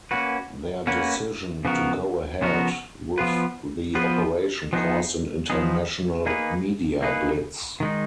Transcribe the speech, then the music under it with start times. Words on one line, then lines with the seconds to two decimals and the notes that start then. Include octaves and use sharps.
Their decision to go ahead with the operation caused an international media blitz.
0.11 A#3 C#4 F#4 B4
0.87 A#3 C#4 F#4 B4
1.65 C#3 F3 B3 F#4 A#4
2.41 C#3 F3 B3 F#4 A#4
3.18 F3 B3 F4 B4
3.95 F3 B3 F4 B4
4.73 F3 B3 D#4 G#4
5.50 F3 B3 D#4 G#4
6.26 A#3 D#4 G#4 B4
7.03 A#3 D#4 G#4 B4
7.80 D#3 G#3 D#4